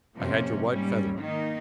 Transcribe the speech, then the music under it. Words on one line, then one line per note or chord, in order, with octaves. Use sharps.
"I had your white feather."
F2 C3 F3 A#3 C#4
G#2 G3 A#3 C#4
D#3 A#3 D#4